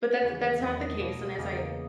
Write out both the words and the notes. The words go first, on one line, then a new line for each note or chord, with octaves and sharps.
Bbut that that's not the case, and as I
D#2 C#3 E3
E5
E2 D#3 F#3 A#3 D#5
C#2 B2 A#3
E2 C#3 E3 A#3